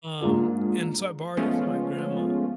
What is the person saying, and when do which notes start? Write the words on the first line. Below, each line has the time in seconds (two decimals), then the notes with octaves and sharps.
um, and so, I borrowed it from my grandma,
0.21 G#2 A#3 D4 F4 G#4
1.37 F3 G#3 A3 B3 C#4 F4